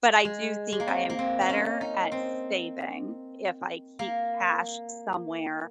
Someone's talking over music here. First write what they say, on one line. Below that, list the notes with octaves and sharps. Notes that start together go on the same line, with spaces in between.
but I do think I am better at saving if I keep cash somewhere
G#3
G#3
A#3
C4
A#3
C4
D#4
C#4
D#4
C4
A#3